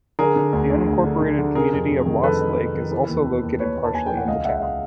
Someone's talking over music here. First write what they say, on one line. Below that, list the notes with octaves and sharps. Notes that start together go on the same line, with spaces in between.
The unincorporated community of Lost Lake is also located partially in the town.
D3 G#4 A#4
D3
D2
D2
D2
D3
D3
D3
C3 G#4 A#4
F2
F2
D#3
F2 A4 B4
F2
C3
D#3
E3
D#2
D#2
D#2
D#2 B4 C#5
D#2
A5
D#2 G#5
E3 G5
F#5
C#2 D#5 F5
C#2 E5 F#5
D#5 F5